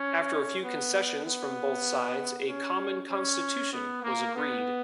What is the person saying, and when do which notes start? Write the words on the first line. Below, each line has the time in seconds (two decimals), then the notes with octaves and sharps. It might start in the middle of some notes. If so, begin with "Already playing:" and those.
After a few concessions from both sides, a common constitution was agreed.
Already playing: C#4
0.62 B3
1.24 B3
2.48 C#4
3.09 C#4
3.72 B3
4.03 A#3
4.34 B3